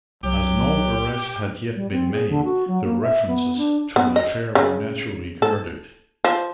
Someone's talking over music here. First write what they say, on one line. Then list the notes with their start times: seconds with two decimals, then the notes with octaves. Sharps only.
As no arrest had yet been made the references to the affair were naturally guarded.
0.23 C2 F#3 G4
1.76 G3
1.92 C4
2.12 G#4
2.29 D3
2.45 F#4
2.67 F#3
2.84 A#3
3.02 E5
3.28 B3
3.58 D4
3.96 B3
4.16 D#5
4.55 C#3
5.42 A4
6.24 F3